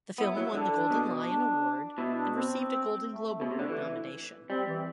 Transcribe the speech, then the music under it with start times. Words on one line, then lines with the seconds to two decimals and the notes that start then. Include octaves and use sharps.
The film won the Golden Lion award and received a Golden Globe Award nomination.
0.18 B3 E4
0.36 F#3 E4
0.54 D3 D4
0.90 B2
1.26 D4
1.97 B2 E4
2.15 D4
2.33 C4
3.06 A3
3.41 B2
3.51 C3
3.59 D3
3.69 E3
4.50 G3 C4
4.67 E3